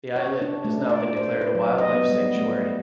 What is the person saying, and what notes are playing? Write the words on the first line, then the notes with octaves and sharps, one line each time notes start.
The islet has now been declared a wildlife sanctuary.
C#5
D4
A3
D5
C5
B4
F#3
D#5
B3
G3
A3